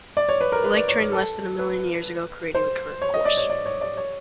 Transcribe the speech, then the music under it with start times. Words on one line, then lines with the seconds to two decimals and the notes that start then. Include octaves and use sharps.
The lake drained less than a million years ago, creating the current course.
0.17 D5
0.29 C#5
0.41 B4
0.52 A#4
0.64 B4
0.77 D5
0.88 C#5
1.00 C#5
1.12 A4
1.59 B4
2.55 C5
3.02 C#5
3.14 D#5
3.26 D5
3.37 C#5
3.50 D5
3.66 C#5
3.81 D5
3.97 C#5